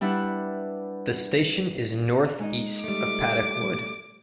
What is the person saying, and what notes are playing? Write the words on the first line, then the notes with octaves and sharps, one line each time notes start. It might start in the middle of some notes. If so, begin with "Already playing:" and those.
The station is north east of Paddock Wood.
G3 D4 E4 B4 F#5
G#3 D#4 D#5
G3 A3 D6